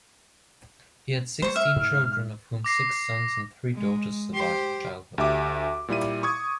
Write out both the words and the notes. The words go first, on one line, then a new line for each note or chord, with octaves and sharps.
He had sixteen children of whom six sons and three daughters survived childhood.
G3 A3 C5 C#6
E5 F6
G#2
D6 A#6 C7
G#3
G4 C5
D2 G4 E5 D6
A#2 G3 E4 D#7
C#6 D#6 G#6